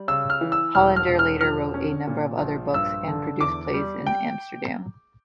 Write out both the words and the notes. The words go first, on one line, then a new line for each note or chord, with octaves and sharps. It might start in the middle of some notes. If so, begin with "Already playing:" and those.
Hollander later wrote a number of other books and produced plays in Amsterdam.
Already playing: G3
C#3 E6
F6
E3
E6
E1 F6
F6
E1
F6
F3 F6
C#4
A#2
A#1
G2 E6
D3
E2 D6
G3
G5